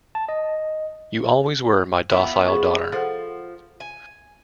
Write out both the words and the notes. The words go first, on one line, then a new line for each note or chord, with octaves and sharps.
You always were my docile daughter.
A5
D#5
F3 B3 E4
G#4 C#6
F3 A4 C5 F#5
G#5